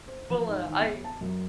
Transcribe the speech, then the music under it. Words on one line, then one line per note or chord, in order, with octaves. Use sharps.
Well, uh, I
C5
F3
G#2
D#3
G1
A5
F#2